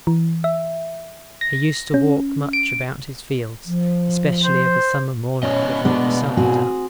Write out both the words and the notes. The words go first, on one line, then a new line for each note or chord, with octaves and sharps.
He used to walk much about his fields, especially of a summer morning before the sun was up.
E3
E5
A#6
C#4
D7
F3
C5
B2 C#4 D5 D#5
G#3 B3 D4
C4 F#4 G#4